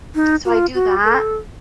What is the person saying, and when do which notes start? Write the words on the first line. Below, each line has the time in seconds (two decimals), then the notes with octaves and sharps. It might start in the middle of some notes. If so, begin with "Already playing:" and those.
so I do that.
0.15 D#4
0.45 F#4
0.49 F4
0.74 F#4
1.04 A#4
1.08 A4